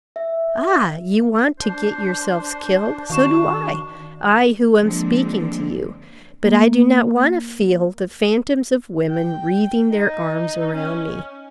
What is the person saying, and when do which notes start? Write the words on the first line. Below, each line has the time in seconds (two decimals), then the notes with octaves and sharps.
Ah! you want to get yourselves killed, so do I--I, who am speaking to you; but I do not want to feel the phantoms of women wreathing their arms around me.
0.16 E5
1.60 D4 C5
3.10 D#3 F#4 F5 C#6 E7
4.80 D3 F3 G#3 A#3 C4 D4
6.43 A#3
9.10 G5
9.92 D#4
10.75 C#4